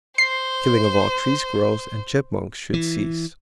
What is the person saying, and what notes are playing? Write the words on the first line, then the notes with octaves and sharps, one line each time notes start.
The killing of all tree squirrels and chipmunks should cease.
C5 C7
E3